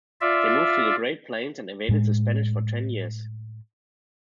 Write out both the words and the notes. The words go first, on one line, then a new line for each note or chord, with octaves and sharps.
They moved to the Great Plains and evaded the Spanish for ten years.
F4 D5 E5
A2 G#3